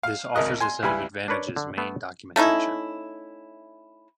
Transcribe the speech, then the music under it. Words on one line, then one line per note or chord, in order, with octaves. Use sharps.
This offers a set of advantages main documentation.
F5
G#1 C#2 A#4 D#5 F#6
G#5 C6
C#2 G3 E4 B4 G#5 B5
D4 A#4 B4 C#5 D5
D3
A3 B3
A3 C#4 D#4 E4